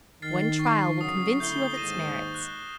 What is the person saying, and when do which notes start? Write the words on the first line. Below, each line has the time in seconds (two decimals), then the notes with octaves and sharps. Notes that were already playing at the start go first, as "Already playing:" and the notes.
One trial will convince you of its merits.
0.22 D#3 F6 A6 C7
0.59 C#6 C7
1.01 C#3 F#3 D#6 C7
1.40 D3 A3 E4 G6 C7 G7
1.76 D#2 G#2 A#6 D#7 E7
2.35 F#6